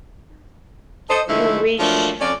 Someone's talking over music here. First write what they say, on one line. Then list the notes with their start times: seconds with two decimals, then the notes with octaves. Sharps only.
You wish!
1.09 A4 C5 D#5
1.28 D3 D#3 F3 G#3 A3 E4
1.79 F3 F#3 A3 A#3 D4
2.20 F2 C#4 F4 D5